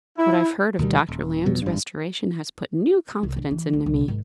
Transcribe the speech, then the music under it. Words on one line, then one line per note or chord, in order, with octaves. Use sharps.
"What I have heard of Dr. Lamb's restoration has put new confidence into me."
E4
D2 B2 D#3 G3
D#1
F2 B2 F#3
G#1 G2
C2
D4
E3
D2
C2
G#1